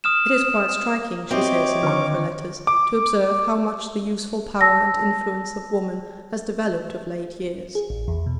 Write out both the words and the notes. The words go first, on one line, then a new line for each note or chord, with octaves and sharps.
'It is quite striking,' she says in one of her letters, 'to observe how much the useful power and influence of woman has developed of late years.
D#6 F6 E7
F#3 C4 E4 G4 C#5 D#5 D6
D3 D#3 B4 C#6 F6
D6
A5 E6 A#6
G#4
A1
E2
B2